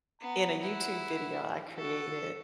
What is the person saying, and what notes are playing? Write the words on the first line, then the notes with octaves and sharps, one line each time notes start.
in a YouTube video I created,
B3 A#5
E4 F#5
F#4 A4